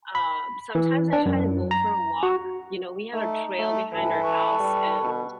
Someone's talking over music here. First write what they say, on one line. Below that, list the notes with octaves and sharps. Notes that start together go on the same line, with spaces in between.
uh, sometimes I try to go for a walk. You know, we have a trail behind our house, and
B5
E3
D4
F#2
A#5
F#4
A3 D#4
A3
G2 E3 A4
A4 B4 C#6
G3
B2